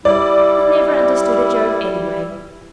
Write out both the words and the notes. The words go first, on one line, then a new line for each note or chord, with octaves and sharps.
He never understood a joke anyway.
G3 E4 D5